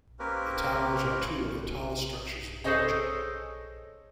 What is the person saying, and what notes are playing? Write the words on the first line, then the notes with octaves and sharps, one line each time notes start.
The towers are two of the tallest structures in Belgium.
A#3 C4 C#4 G4 A#4 B4
G#4 A4 C5 C#5 D#5 G#5